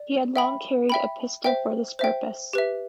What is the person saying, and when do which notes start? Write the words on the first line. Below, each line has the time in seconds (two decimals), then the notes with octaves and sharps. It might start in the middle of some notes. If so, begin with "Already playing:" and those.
He had long carried a pistol for this purpose.
Already playing: D5
0.36 E5 G5 B5
0.90 E5 G5 B5
1.44 C5 E5 G5
1.99 C5 E5 G5
2.53 G4 B4 E5